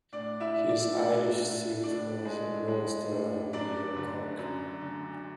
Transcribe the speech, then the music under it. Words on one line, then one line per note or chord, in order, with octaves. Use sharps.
His Irish seat was Rostellan, near Cork.
A2 D4 D5
E4 E5
A2
D4 D5
A2 D4 D5
A2
A2 D4 D5
G#3
G#3
A2
F#2 D4 D5
D3
F#2
D3